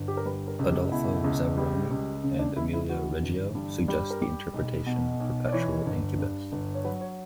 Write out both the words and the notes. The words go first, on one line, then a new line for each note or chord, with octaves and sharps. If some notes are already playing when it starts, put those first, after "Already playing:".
Adolfo Zavaroni and Emilia Reggio suggest the interpretation Perpetual-incubus.
Already playing: G1
G4
A#4
G3 B4
A#4
C#2
G4
B2 E4
C#2
G3
C#2
C#3
D4
C#2 E4
E4
E3 F#4
G1
G2
G3
A#4
G3 G4
B1
B2
B1
D5
E3 C#5
G1
G2
G1
C#5
F#3 B4
C#5